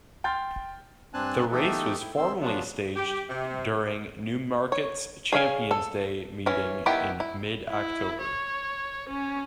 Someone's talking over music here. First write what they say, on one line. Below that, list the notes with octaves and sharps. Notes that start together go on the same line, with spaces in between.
The race was formerly staged during Newmarket's Champions' Day meeting in mid-October.
G5 C6 F6 G6 A6
G2 C4 D4 G#5 A5 F#6
E3 A3 B3 D#4 G4 A4
E4 G5
D#3 C4 C6 E6
C#3 F3 F#3 B3 D4 F4
G4
C3
C#5
G#4 C#5 E5 F5 G#5
A4
E3 C#4
D#3 B3 E4 G4
E4
E4
C#5
C#4